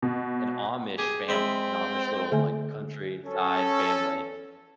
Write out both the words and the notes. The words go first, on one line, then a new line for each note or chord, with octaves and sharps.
an Amish family, an Amish little, like, countryside family,
B2
G4 G#4
G#3 C4 E5 B5
D3 A3 G#5
C#4 A4